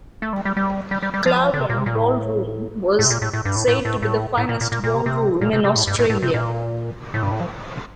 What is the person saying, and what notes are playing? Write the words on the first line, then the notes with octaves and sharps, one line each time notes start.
Cloudland Ballroom was said to be the finest ballroom in Australia.
A3
G3
G3
G3
G3
G3
G3
F3
D3
C3
A#2
C3
A#2
A2
A2
C3
A#2
A2
A2
G2
A2
A2
A2
A2
A2
A#2
A#2
A#2
A#2
C3
C3
A#2
C3
C3
A2
G2
A2
A2
C3
A#2
A2
G2
A2
F3